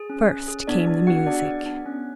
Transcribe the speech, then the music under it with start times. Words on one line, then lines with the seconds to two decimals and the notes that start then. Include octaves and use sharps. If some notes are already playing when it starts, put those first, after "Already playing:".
First came the music.
Already playing: G#4
0.10 C#4
0.29 C#4
0.48 G#4
0.67 B3 D4 D5
0.87 D4
1.07 B3 F#4 F#5
1.27 D4 G#4 D5
1.47 B3
1.66 D4
1.86 C#4